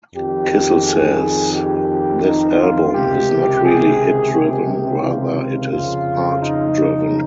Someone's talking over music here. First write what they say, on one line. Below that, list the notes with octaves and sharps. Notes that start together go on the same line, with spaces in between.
Kissel says this album is "not really hit driven" rather it is "heart driven".
F2 D#3 G4
G#4
G4
D#4
F4
C#2 C3 D#3 G4
G#4
G4
F4
F2 C#3 F3 F4
D#4